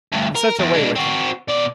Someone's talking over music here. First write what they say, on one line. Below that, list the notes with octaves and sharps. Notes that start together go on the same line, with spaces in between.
And such a way with him!
D2 G2
A#4
E2
G#3 D4
C4 F#4
B2 D5